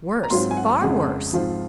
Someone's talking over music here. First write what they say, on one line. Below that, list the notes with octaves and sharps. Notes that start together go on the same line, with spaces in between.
Worse; far worse!
A#5
G#2 F#3 C4 F4 C6
G#5
F#5
F2 C#3 G#3 F#5
G#2 F3 C4 F4